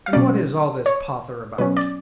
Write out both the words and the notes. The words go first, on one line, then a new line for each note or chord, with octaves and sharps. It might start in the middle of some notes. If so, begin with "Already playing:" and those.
And what is all this pother about?
F5
B2 F#3 C#4 D5
C#5
B2 F#3 C#4 B4
D5